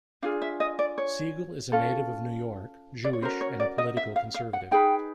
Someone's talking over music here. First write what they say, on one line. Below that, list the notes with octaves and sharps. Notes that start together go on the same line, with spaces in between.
Siegel is a native of New York, Jewish and a political conservative.
D4 F4 G#4 F5
E5
D#5
D5
C#5
C#4 F4 A4
D5
C#5
C#4 F#4 A#4 C5
C#5
D5
D#5
E5
F5
F5
F#5
D#4 G#4 B4 G5